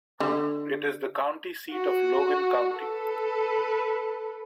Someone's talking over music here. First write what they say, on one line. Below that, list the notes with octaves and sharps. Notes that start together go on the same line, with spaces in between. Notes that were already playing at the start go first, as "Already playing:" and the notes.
It is the county seat of Logan County.
D3
F#4
A4 B4